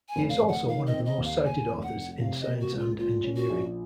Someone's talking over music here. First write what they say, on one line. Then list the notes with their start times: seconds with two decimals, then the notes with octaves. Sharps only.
He is also one of the most cited authors in science and engineering.
0.09 G#5
0.16 F1
0.29 F5
0.42 F1
0.48 F#5
0.67 D#3 F5
0.87 D#5
0.92 C4
1.05 D#5
1.18 D#2
1.25 F5
1.45 D#2 G#5
1.69 F1
1.83 F#5
1.96 F1
2.21 C3 F5
2.41 D#5
2.47 A#3
2.60 F#4
2.72 C#2
2.79 F4
2.98 A#2 F4
3.24 C#4
3.36 F#4
3.49 A#1